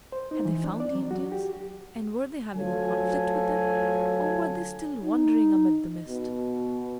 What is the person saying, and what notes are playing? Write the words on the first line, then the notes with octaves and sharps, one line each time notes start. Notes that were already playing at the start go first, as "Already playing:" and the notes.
Had they found the Indians, and were they having a conflict with them, or were they still wandering amid the mist?
C5
D#4
E3
D4
D5
F#3
F#4
G4
D2 F#3 F4 A4 C#5 G#5
D#4
B2